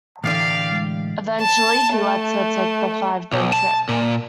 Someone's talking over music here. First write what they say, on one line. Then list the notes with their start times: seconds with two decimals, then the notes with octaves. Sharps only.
Eventually, he lets her take the five-day trip.
0.24 A2 D3 E3 G4 D5 F5
0.71 G#3
1.41 A5
1.95 A3
3.33 B1
3.53 A5
3.89 A#2